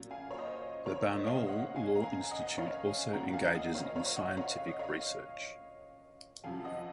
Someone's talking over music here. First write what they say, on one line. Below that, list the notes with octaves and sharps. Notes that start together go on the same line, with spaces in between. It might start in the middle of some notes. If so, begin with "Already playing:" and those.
The Barnaul Law Institute also engages in scientific research.
Already playing: A#2 F#3 C#4
F5 G#5
C#5
C5 D#5
A#4 C#5
C5 D#5
D#5
C#5 F5
D#5 F#5
F5 G#5
A#5
F5 G#5
G#5
D#5 F#5
C#5 F5
F5 G#5
A#2 F#3 C#4 F#5 A#5
F5 G#5
F5
D#5 F#5
C#5 F5
C#5 F5
D#5 F#5
C#5 F5
F5
D#5
C#5 F5
F2 C3 F3 F5 G#5
D#5 F#5